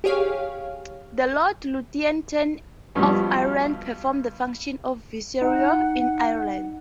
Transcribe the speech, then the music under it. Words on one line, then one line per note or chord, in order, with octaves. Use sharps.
The Lord Lieutenant of Ireland performed the function of viceroy in Ireland.
G4 G#4 C#5 F5
G2 B2 F3 G3 C#4
D#4 F#5